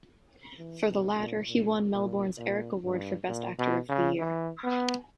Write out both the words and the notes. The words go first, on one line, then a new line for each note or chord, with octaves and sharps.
For the latter, he won Melbourne's Erik Award for best actor of the year.
E3
B2
A#2
A#2
A#2
A#2
G2
A#2
B2
C#3
E3
B3